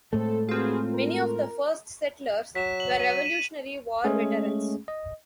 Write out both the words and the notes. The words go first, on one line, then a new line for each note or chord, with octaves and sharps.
Many of the first settlers were Revolutionary War veterans.
A2 G#3 A3 C4 A4
C4 F4 F#4 G#4 B4
A#4
F#3 B6 E7
F#7
D#7
D#7 E7
G#3 A3 C#4 G#4
D#5